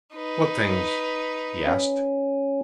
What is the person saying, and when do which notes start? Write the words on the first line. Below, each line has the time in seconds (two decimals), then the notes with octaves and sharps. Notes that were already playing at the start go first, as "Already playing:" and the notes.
"What things?" he asked.
0.14 D#4 B4
1.67 C#4